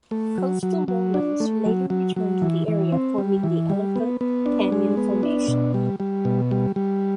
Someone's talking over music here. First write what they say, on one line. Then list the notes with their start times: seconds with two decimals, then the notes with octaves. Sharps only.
Coastal lowlands later returned to the area, forming the Elephant Canyon Formation.
0.11 A3
0.38 F#3
0.63 F#3
0.88 F#3
1.14 D4
1.40 A3
1.65 F#3
1.90 F#3
2.16 F#3
2.42 E3
2.68 E3
2.92 C4
3.18 G3
3.43 E3
3.70 G3
3.96 B3
4.21 B3
4.46 D4
4.72 G#3
4.97 B3
5.23 D4
5.48 B2
5.74 G3
6.00 G3
6.25 B2
6.51 G3
6.76 G3